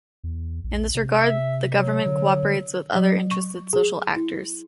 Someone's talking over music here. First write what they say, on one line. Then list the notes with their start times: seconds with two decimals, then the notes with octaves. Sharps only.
In this regard, the government cooperates with other interested social actors.
0.24 E2
0.64 A#1
0.95 C3
1.19 E5
1.74 F#3
2.06 D3
2.95 F#3
3.31 C#6
3.73 G#4
4.16 E4